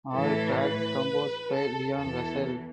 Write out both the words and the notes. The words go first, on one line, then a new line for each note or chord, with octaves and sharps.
All tracks composed by Leon Russell.
A2 E3 A4
B4
A4
E2 E3 A4